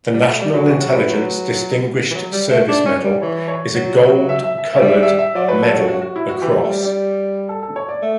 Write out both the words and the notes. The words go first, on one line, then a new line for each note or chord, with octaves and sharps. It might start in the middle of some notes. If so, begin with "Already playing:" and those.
The National Intelligence Distinguished Service Medal is a gold colored medal across.
G3
A3
G3
F#3 F#4
E3 F#4
F#3 F#4
G3 B4
F#3
E3
F#3
G3
A3
D4 D5
C#4
G3
E3 C#5
C#5
F#3
E5
E5
E5
E5
G3
E5
E5
E5
F#3 D5
B4
A4
F#4
F#4
F#4
E4
F#4
E3 G4
F#3
A3
G3
G3
A4
A4
C#5
D5
A3